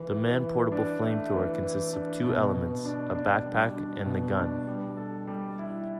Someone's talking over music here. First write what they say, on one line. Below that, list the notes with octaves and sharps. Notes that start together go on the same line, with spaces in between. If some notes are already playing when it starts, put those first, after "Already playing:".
The man-portable flamethrower consists of two elements: a backpack and the gun.
Already playing: E3
E3
E3
D4
A3
E3
E3
D4
B2
B2
D4
D4
G3
D4
B2
D4
G3
A4
G3
E4